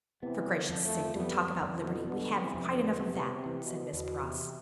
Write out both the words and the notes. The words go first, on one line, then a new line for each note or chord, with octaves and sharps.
"For gracious sake, don't talk about Liberty; we have quite enough of that," said Miss Pross.
C3 E3 B3
D3 F3
F2
F3 A3
F2 G3 B3
F2
B2 D3
B2 D3 B3
C3 E3
F2
B2 D3
C3 B3
C3
E3
B2
E2 B2
C3